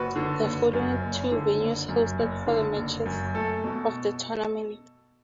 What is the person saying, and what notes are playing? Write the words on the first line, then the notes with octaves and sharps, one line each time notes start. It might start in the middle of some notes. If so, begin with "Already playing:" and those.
The following two venues hosted for the matches of the tournament.
Already playing: F#1 F#4 B4
D3
F#1
F#2
F#1
D3
F#1
F#2
F#1
D3
F#1
F#2
A3 A4
B2